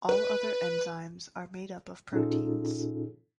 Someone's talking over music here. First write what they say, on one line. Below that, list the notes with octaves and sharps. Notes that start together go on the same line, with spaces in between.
All other enzymes are made up of proteins.
B4
A#2 C#4 D#4 F4 G#4 A4